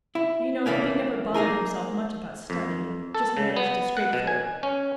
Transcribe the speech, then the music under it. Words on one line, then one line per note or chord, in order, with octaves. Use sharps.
You know Hippy never bothered himself much about study, just managed to scrape through.
E4
B2 E3 A3 A#3 C#4
A#3 D#4 G#4 A#4
F2
A4
C#3
B3
F#5
B2
G#5
C#4